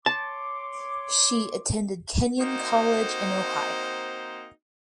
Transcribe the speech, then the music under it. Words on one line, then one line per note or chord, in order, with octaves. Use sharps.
She attended Kenyon College in Ohio.
C#5 A5 C6 D6
A#3 C4 D#4 F#4 C5